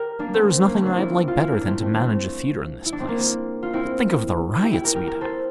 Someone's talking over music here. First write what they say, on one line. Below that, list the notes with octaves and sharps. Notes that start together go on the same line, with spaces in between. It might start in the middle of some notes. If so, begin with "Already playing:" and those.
There is nothing I'd like better than to manage a theatre in this place, but think of the riots we'd have!
Already playing: G4 A#4
A#3 D4
A3 C4
A#3
A3 C4
A#3 D4
C4 E4
F4
E4
A#3 D4
A3 C4
A3 C4
A3 C4 D4
E4
D4
C4
A#3 D4
F4
C4 E4
E4 G4
E4 G4
G4 A#4
G4 A#4
G4 A#4
A4 C5